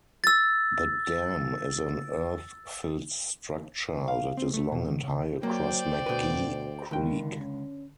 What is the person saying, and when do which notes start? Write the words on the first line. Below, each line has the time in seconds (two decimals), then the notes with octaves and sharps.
The dam is an earth-filled structure that is long and high across McGee Creek.
0.24 E6 A6
4.08 F5
4.37 C4
4.54 A3
4.72 B2
4.87 D#3
5.03 C#3
5.43 F#3 A#3 C5 D5 G5
6.06 D2 B2 B4
6.91 C#2 D3 D#3 G5
7.40 C#4